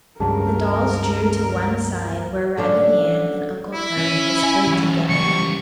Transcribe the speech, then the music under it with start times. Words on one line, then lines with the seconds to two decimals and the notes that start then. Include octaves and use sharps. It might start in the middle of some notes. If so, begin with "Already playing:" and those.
The dolls drew to one side, where Raggedy Ann and Uncle Clem whispered together.
0.20 C#2 G2 F#3 G#4 A#4 A5
2.57 D3 C#4 D4
3.74 E4
3.97 C#4
4.44 G#5
4.67 E3 F#3
5.09 C#3 G3 C#6